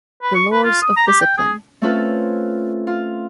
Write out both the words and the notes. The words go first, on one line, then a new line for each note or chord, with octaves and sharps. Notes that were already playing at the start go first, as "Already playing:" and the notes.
"The Lords of Discipline".
B4
C#6
B4
F4
D#6
A#5
G4
G5
G#4
A3 C4 C#4 F4 A4 B4
F4